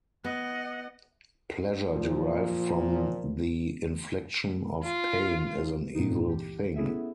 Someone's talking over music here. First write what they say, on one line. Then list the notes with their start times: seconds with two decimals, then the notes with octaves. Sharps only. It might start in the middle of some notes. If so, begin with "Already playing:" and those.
Pleasure derived from the infliction of pain is an evil thing.
0.24 B3 D#5 F#5
1.92 A#2 F3
4.84 F4
5.95 G2 A#2 A3 B3 D#4
6.26 C#2 E3 G4
6.76 B3 C#4 E4 G#4 A4 E5